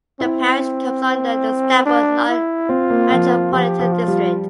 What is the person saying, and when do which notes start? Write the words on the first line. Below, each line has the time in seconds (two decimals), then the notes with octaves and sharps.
The parish comes under the Stafford Non-Metropolitan District.
0.20 C4 E4
1.86 D4
2.28 E4
2.69 C4 F4
2.90 A#3
3.11 F3
3.52 F3 G4
3.79 F3
3.93 F4
4.07 G3